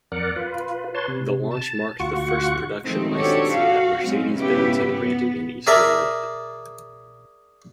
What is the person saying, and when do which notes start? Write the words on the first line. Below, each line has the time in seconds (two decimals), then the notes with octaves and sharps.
The launch marked the first production licensee that Mercedes-Benz had granted in eastern Europe.
0.12 F2 A#4 D5 F#5
0.36 F4 B4
0.95 B4 C#5 A5 C6
1.08 C3
1.51 A5
2.00 D2 F4 F#4 F#5 C#6
2.84 D#3 F3 G#3 A3 C4 D#4
3.14 C4 D4 F#4 G4 A4 C#5
3.52 F#4 F5
4.04 F#3 G#3 C4 C#4
4.35 G#2 C#3 B3 E4 G4 B4
4.90 B3
5.67 G#4 A#4 D5 E5 A5